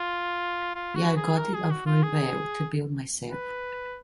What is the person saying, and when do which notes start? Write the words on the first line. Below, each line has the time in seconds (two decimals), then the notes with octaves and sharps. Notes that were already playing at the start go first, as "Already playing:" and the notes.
Yeah, I got it of Revell, to build myself.
Already playing: F4
0.75 F4
0.95 F#4
1.16 G#4
1.38 A#4
1.54 G#4
1.71 F#4
1.86 F4
2.03 G#4
3.31 B4